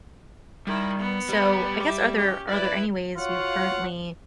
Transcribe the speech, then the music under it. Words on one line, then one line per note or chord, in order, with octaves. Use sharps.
So, I guess are there are there any ways you currently,
D#3 G3 E4
B3
G3 B5
E5 D6
C#4 G4
E4 B4 D5
F4 F#4 C#5 F5 F#5